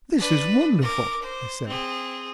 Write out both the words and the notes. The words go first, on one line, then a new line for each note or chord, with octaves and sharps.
"This is wonderful," I said.
D4 B4
A#4 D6
C5
C4 G#4